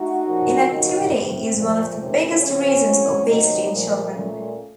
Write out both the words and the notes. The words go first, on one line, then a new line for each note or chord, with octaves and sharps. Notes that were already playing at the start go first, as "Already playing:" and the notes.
Inactivity is one of the biggest reasons for obesity in children.
Already playing: A3 D#4 F#4
A#2 F3 A#3 C#4
D#2 C#3 F#3 A#3 D#4 F#4
A2 A3 C4
A#2 F3 A3
C3 D#3 A3 C#4
C#3 F3 C4 C#4
A2 F#3 C4
C3 D#3 F#3 A3 C#4 D#4
A#2 F3 A3
A#2 A3 C#4